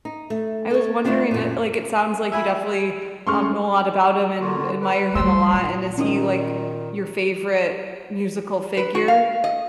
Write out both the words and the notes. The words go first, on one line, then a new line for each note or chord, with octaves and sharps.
I was wondering, it like, it sounds like you definitely, um, know a lot about him, and admire him a lot, and is he, like, your favorite musical figure?
D#4
A3
A4 C#5
G3 A3 B3 D4 F4 G4
F#2 A#2
E5 G#5 B5
C#3 G#3 A3 C6 C#6 F6
D3 A#3 F4 F#4
B4
G3 A3 C5 C6 E6
A#2 B3
D#3 C#4 D#4 D#6
B4
F#4
F5
D#5